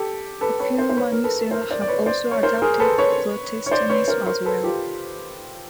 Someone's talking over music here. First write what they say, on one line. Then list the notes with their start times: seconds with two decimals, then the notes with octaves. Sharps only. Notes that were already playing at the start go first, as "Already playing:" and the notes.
A few Manusela have also adopted Protestanism as well.
Already playing: G4 A4
0.41 A4 B4
0.60 B4 C#5
0.78 A#4 C5
0.89 C5
0.97 B4 C#5
1.12 A#4
1.24 A4 B4
1.51 A#4 C5
1.71 C5 D5
1.81 D5
1.88 B4 C#5
2.06 C5 D5
2.31 C#5
2.43 A#4 C5
2.62 G#4 A#4
2.80 A4 B4
2.98 B4 C#5
3.66 C#5
3.71 C5 D5
3.90 B4 C#5
4.08 A#4 C5
4.27 A#4 C5
4.46 A4 B4
4.63 F4 G4